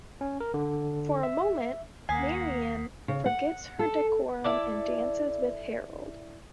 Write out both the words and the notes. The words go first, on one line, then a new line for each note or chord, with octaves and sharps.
For a moment, Marian forgets her decorum and dances with Harold.
C#4
A#4
D3
E5
D#2 A#3 F#5 G#5 D#6 B6 C7
C#3
F#5
A4
E4 A4 D5